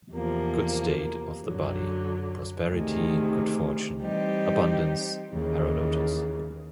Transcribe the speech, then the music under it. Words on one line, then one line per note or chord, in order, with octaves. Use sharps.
Good state of the body: prosperity, good fortune, abundance.-"Herodotus".
E2 C3 F3 A#3
F#2 D3 F#3
D2 C3 D#3 G#3
E3 G3 C4 D#4 G4
D#2 C#3 E3